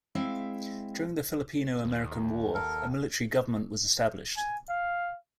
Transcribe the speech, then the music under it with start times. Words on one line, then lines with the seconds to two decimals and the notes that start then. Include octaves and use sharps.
During the Filipino-American War, a military government was established.
0.15 G#3 C4 E4 E5 F5
1.85 D#2
2.54 A4 A#4
4.37 G#5
4.69 F5